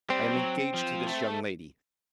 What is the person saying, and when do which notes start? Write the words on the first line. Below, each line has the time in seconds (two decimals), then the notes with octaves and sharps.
I am engaged to this young lady.
0.10 G3 C4
0.31 F#3
0.74 F3
1.07 A3